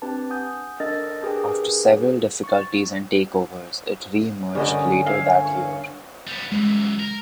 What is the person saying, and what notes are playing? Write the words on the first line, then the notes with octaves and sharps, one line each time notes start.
After several difficulties and takeovers, it re-emerged later that year.
C4 D4 G4 B4 A5
F#5 G#5 D#6 G6
D4 A4 A#4 D#5 A6
D4 G4 G#4 A#4 B4 G5
C#6 A6
G2 D3 C#4 A#4 D#5 G5
F5 G#5 E6
C#5
G3 B3
F#2 E3 G#3
A#4